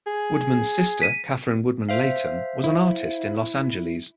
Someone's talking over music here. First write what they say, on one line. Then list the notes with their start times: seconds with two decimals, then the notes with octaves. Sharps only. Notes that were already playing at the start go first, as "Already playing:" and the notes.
Woodman's sister, Kathryn Woodman Leighton, was an artist in Los Angeles.
0.07 G#4
1.02 B6 D#7
1.89 C5 E5 F5
2.64 E4